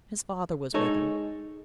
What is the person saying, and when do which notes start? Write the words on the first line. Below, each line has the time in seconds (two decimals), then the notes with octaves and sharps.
His father was with him.
0.74 G#3 D#4 A4 C#5